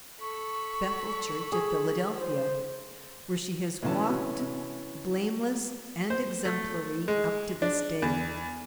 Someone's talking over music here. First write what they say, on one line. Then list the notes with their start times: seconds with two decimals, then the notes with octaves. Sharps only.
Bethel Church, of Philadelphia, where she has walked, blameless and exemplary up to this day.
0.20 A4 B5 C#6
1.52 G#4
2.17 C5
3.82 A2 D3 E3 B3 C#4 A5
4.09 C3 F#4
4.39 C3
6.10 C5
6.45 A3
7.08 G#3
7.62 D4
8.02 E2